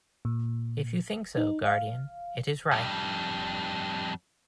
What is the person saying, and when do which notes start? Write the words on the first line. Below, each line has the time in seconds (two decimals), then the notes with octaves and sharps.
If you think so, guardian, it is right.
0.25 A#2
1.37 D#4
1.66 F5
2.71 F2 G3